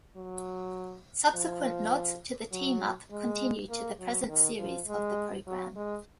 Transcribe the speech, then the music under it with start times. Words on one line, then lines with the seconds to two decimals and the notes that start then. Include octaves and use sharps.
Subsequent nods to the team-up continue to the present series of the programme.
0.16 F#3
1.34 F3
2.52 F#3
3.11 G#3
3.70 A#3
3.99 F#3
4.29 D#3
4.58 F3
4.88 G#3
5.46 F#3
5.76 G#3